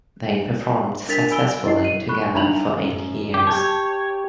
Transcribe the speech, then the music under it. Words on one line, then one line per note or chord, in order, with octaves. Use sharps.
They performed successfully together for eight years.
D4 A#4 A6 B6 F7
G#5 B5 E6 D7 G7
E4 D#5 C7
D#7
B5 C#6 F#6
D4 D#4 A#5 B5 F7 F#7
F#2
G4
G4 C#5 A5 G6 G#6